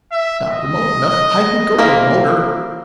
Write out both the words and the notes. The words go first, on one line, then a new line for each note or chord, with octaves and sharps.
If not remote enough, I can go remoter.
E5
D#5
A#3 C4 E4